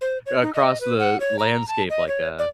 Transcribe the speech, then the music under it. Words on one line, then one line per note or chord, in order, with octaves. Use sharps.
across the landscape like a
C5
C#5
D#4
D#5
B4
F#5
C#5
A#5
A5
D#5
C#5
D5